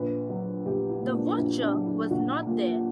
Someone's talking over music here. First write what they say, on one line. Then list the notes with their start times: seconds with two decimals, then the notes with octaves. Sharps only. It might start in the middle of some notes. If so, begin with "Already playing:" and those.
The watcher was not there.
Already playing: A#1 B4
0.29 F#3
0.65 A#1 G4
0.90 E4
1.02 A#2
1.14 D4
1.38 A#1 E4
1.62 D4
1.74 F#3
1.86 E4
2.10 A#1 F#4
2.47 A#2